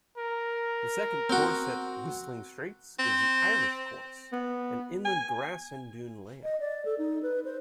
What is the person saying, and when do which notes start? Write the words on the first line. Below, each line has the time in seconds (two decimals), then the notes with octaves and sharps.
The second course at Whistling Straits is the Irish Course, an inland grass-and-dune layout.
0.18 A#4
1.30 C4 F#4
2.99 C4
4.33 B3
5.05 G#5
6.44 D#5
6.60 D5
6.85 A4
6.98 D#4
7.23 B4
7.45 C5